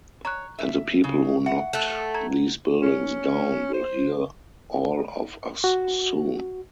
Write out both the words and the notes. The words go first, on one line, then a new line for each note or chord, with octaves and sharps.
And the people who knocked these buildings down will hear all of us soon!
C#5 A#5 C#6 F#6
E5
C#3
E5 F#5
A3 A4 F#6 E7
A#5 G#6
C#4
C5
F#4